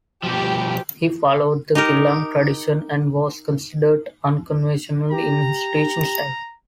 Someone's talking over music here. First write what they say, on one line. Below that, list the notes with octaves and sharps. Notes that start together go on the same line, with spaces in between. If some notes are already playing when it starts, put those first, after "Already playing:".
He followed the Gelug tradition, and was considered unconventional in his teaching style.
B2 F3 G4
D#4 G4 A#4
G4 A#5